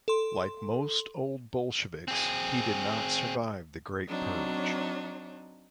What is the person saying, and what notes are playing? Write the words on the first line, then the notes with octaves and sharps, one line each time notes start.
Like most Old Bolsheviks, he did not survive the Great Purge.
A4 C6
C4 G#4
F#3 C4 D4 D#4 C#5